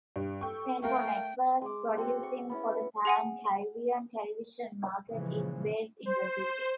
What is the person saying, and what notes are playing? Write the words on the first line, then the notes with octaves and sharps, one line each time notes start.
Tempo Networks, producing for the pan-Caribbean television market, is based in the city.
G2
A4 G5 C#6
A3 A#4 F5 G5 C#6
G#3 D6
C4 F#4 A4 F#5
C#6
B3 C#4 E4
G#4 F#5 G#5
A#2 C#3 E3 F3 G#3
C5